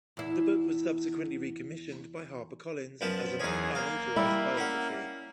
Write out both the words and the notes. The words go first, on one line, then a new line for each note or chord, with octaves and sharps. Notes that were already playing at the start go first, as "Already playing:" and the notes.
The book was subsequently recommissioned by HarperCollins as an "unauthorised" biography.
E2 E4
F#2 F3 B3
E2 C#4 D#4 G#4
A#3 F5
G3 E4
C#4 F#5